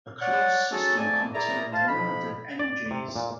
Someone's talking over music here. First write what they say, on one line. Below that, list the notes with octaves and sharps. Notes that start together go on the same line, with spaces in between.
A closed system contains limited energies.
C#5 D5 F#5
C#4 D#4 F#4 G#4 A4
F2 A3 C4 D5 G#5 A5
E4 G#4 A#4 D5 A#5
C5 F5 A5
F2 B2 F3 B5
D5
C3
A#2